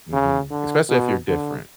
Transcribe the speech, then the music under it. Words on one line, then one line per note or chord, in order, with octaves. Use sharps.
Mhm. Especially if you're different.
C#3
D3
B2
D3